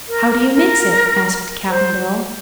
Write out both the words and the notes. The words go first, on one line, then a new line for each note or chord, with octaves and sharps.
"How do you mix it?" asked Cap'n Bill.
A#4
A#4
A#4
C5